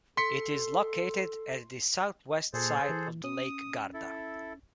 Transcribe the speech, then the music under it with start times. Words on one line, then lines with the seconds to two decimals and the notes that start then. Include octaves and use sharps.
It is located at the southwest side of the Lake Garda.
0.17 A4 C6 B6 C#7
2.54 A#2 G#4 A4 C5
2.89 E3
3.24 C#4 D#6
3.94 E4 A4